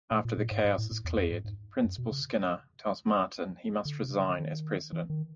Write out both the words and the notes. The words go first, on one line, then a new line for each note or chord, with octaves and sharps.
After the chaos has cleared, Principal Skinner tells Martin he must resign as president.
A#2
A#2
A#2
G#2
G#2
A2
A2
E2
F2
G#2
G#2
F#2
B2
C#3
D3
C3
C#3
D3
D#3
E3
D#3